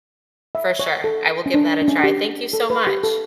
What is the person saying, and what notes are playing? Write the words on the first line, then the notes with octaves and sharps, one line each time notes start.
For sure, I will give that a try, thank you so much.
E5
C#5
A4
C#4
D4
D4
C#4
G4
A4
B4
G4
A4